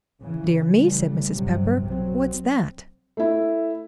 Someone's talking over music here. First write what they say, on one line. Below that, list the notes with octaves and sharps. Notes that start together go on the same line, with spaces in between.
"Dear me!" said Mrs. Pepper, "what's that?"
C#3 E3
C#3 E3 G3 A3
G2 C3 F#3
B1 F#3 C4
A3 E4